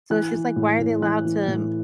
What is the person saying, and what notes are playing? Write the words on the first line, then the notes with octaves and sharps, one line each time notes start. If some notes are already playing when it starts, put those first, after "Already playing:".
so it's just, like, why are they allowed to
E3 F#6
E3
A2
A2
E3 F#6
E3
A2